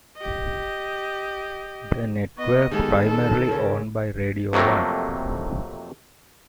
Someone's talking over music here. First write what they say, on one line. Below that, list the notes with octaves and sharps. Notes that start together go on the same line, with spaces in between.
The network primarily owned by Radio One.
G4 D#5
B3 D#5 C#6
D#3 G#3 B3 G4 A4
D#4 A4
D#2 C#3 A#4
F2 C3 F#3 A3 A#3